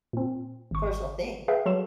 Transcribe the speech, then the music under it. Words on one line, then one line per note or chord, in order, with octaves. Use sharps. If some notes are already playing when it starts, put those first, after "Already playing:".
Personal thing.
A#2 C4
G#1 C#6
G#4 B4 E5 F5 G5
F#3 A4 C6 E7